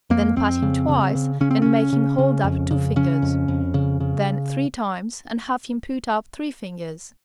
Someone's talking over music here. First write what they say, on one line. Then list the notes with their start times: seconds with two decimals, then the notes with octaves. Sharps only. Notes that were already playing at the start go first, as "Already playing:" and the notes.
Then pat him twice, and make him hold up two fingers, then three times and have him put up three fingers.
0.10 F2 A#3
0.36 F2 C4
0.62 C#3
0.88 C#3
1.15 C#3
1.41 C#3 C#4
1.51 C4
1.62 C#3 C#4
1.93 C#3
2.18 C#3
2.44 F2
2.71 C#3
2.96 C#3 C#4
3.22 F2
3.48 F2
3.74 C#3
4.00 C#3